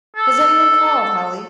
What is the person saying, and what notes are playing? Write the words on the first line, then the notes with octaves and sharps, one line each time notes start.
Has any one called, Holly?
A4